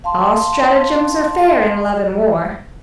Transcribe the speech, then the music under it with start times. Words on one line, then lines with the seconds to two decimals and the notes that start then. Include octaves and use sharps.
"All stratagems are fair in love and war."
0.04 F5 A5 C6